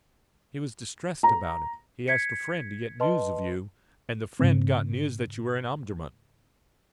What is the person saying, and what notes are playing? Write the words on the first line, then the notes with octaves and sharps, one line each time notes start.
He was distressed about it; he asked a friend to get news of you, and the friend got news that you were in Omdurman.
A#5
G#6 B6 C#7
B4 D#5 A5 C6
G#2 C#3 C4